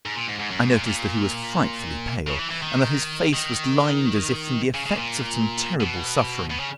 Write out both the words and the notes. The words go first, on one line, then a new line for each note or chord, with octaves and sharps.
I noticed that he was frightfully pale, and that his face was lined as if from the effects of some terrible suffering.
G#2
A#2
G#2
G#2
F#2
G#2
A#2
A#2
C#3
E3
E3
D#3
D#3
C#3
C#3
A#2
B2
B2
C#3